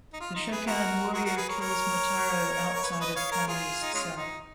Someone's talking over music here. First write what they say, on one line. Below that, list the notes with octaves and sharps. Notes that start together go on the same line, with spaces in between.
The Shokan warrior kills Motaro outside of Kano's cell.
D#4
F4
D#4
G#4 B4
F#4 A#4
F#4 A#4
F#4 A#4
G#4 B4
A#4 C#5
A#4 C#5
A#4
B4
C#5
B4 D#5
C#5 F5
A#4 C#5
F4 G#4
D#4
G#3 C#4 F4
D#4